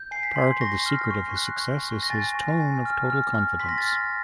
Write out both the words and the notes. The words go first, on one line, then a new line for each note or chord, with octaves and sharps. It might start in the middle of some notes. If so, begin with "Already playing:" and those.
Part of the secret of his success is his tone of total confidence.
Already playing: G6
G#5 C7
B6
C6
C#6 A#6
F6
C#6
F#6
C#6
C#6
A#6
G#5 A6
C#6
G#5
F6
F6
F6
C6 B6
A#6
A6
F6 A#6